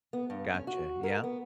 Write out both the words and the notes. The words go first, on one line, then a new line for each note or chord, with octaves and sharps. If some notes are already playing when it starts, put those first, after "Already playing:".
Gotcha. Yep.
B3
G2
C#4
F#4
A#4
B3